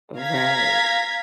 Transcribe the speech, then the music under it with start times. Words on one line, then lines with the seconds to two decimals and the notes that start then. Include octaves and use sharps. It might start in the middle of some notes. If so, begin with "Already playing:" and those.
Oh, right.
0.19 F5 A#5 G#6 B6